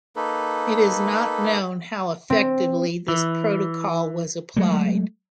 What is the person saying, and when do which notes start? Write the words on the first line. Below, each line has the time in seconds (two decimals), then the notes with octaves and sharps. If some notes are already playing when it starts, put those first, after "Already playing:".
It is not known how effectively this protocol was applied.
0.16 A#3 D#4 A4 B4
2.30 C4
3.08 E3
4.57 F#3 G#3 A3